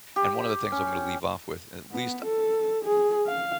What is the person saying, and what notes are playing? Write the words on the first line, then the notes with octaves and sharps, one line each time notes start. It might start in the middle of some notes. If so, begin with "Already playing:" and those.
And one of the things I'm gonna leave off with, at least
G4
C#4
B3
A4
G#4
F5